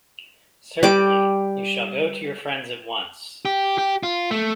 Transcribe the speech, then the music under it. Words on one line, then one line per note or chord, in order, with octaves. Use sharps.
Certainly; you shall go to your friends at once.
G3 D6
G4
G4
F4
A3